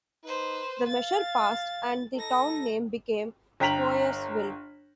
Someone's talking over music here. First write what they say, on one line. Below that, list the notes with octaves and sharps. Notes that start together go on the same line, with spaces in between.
The measure passed and the town name became Swoyersville.
D#4 B4 C5
F5 A6
D#4 A4 A#6
G1 G5 A#5 B6 F7 F#7